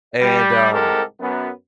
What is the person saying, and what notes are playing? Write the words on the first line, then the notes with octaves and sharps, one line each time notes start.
And, um,
G3
C2 G#2 G#3 G4 A4 A#4
F#2 B3